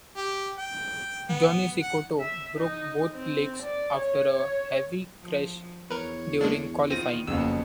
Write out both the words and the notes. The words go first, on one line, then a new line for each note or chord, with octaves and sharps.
Johnny Cecotto broke both legs after a heavy crash during qualifying.
G4
G5
B3
F#5
E5
D#4
C4
D5
C#5
C#5
F3
E2 A#4 B4 C#5
G#3 A#3 D4
D#3 B3 C4 F4 A#6 D#7
F#1 F2 A#3 B3 C#4 F5 E6